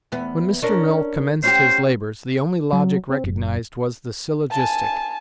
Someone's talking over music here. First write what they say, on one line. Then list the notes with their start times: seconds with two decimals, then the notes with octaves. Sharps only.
When Mr. Mill commenced his labors, the only logic recognized was the syllogistic.
0.12 E2 B3
0.62 C#4 D4 A#4
1.44 C#4 F#4 G4 C5
2.73 F#3
3.10 C4
3.24 F#1
4.51 G#5 A5